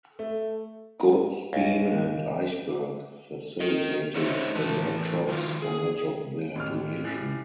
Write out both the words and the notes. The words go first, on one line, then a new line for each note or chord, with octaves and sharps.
Goodstein and Eichberg facilitated the workshops for much of their duration.
A3
C#2
A#4 D#5
D#4 C5 C#5 D#5 E5
A2 E3 B4 A5
D#3 F3 F4
G#4
A1 F6
C#4 E4 G4